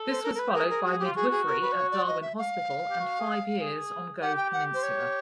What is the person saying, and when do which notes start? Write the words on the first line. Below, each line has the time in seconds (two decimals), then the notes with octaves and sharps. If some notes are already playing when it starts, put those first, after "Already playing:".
This was followed by midwifery at Darwin Hospital and five years on Gove Peninsula.
Already playing: A4
0.09 C5
0.23 A#4
0.35 A#4
0.39 B4
0.49 G4
0.54 G#4 A#4
0.70 A#4
0.85 F#4
1.00 G4
1.05 F4
1.15 F#4 G#4
1.31 G#4
1.47 A#4
1.61 B4
1.72 D5
1.76 C#5
1.92 D5
2.07 D#5
2.22 E5
2.38 F5
2.90 G4
2.99 F#4
3.20 G#4
3.61 G#4
4.22 G4 F#5
4.37 G5
4.53 F#5
4.74 C5
4.83 C#5